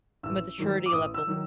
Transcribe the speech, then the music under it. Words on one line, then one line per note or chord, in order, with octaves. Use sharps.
Maturity level.
A1 E6
G#2 D#3 F#3
D6
A1 D#6
E6
D#3 F#3